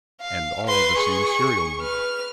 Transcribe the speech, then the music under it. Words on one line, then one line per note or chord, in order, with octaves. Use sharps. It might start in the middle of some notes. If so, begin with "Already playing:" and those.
"And all of the same serial number."
F5
B4 C6
G#4 C#6
B4 F6